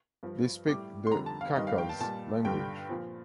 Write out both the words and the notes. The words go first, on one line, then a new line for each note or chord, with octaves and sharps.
They speak the Khakas language.
G2 F3
A2 G3 D6
C6
F2 D3 G3 A#5
A5
F5
G2 D#3 G3 D#5
F5
G5
A5
A#2 G3 A5
G2 D3 G3 G5
A#2 F3